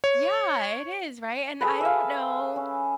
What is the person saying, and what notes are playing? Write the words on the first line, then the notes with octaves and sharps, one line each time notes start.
Yeah, it is, right? And I don't know
C#5
G#4 A4 B4
E5 F5
C#4